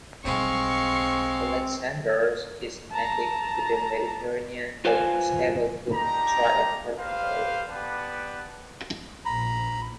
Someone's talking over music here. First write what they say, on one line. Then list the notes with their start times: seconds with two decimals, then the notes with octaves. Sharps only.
Alexanders is native to the Mediterranean but is able to thrive farther north.
0.25 B1 G3 G#3 C4 F5 C#6
2.91 A5 A#5
4.85 F4 B4 C5 F5 G#5
5.93 D4 D#4 G4 A#5
6.99 G4 B4 C5 F5
7.68 B3 G4 B4 D5 F#5 A5
9.25 A#1 A#5 B5